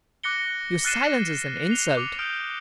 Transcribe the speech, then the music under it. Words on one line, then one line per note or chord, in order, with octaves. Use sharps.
"Your silence is an insult!"
D6 F#6 A#6 C#7 G7
F6 F#6 A6 C7 D#7 E7
C7 F7 G7
D6 C#7 F7
D#6 F6 G6 D7